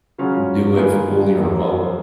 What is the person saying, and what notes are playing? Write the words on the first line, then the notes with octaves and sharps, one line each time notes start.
do it fully remote.
C#3 F#3 C#4 F4
D#3 A#3 F4 G#4 B4
F#2 F3 A#3